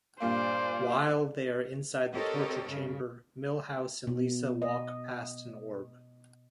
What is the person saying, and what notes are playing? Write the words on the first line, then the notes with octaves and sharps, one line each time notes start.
While they are inside the torture chamber, Milhouse and Lisa walk past an orb.
G2 A#2 A#3 C5 D5
C4 G4 A4 A#4 C#5 D#5
G2 C#3
B2
D#5